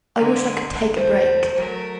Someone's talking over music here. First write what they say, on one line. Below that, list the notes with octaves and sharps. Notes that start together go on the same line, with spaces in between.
I wish I could take a break.
D3 G#3 A#3
E2 A3 C5
F#3 A3 A#4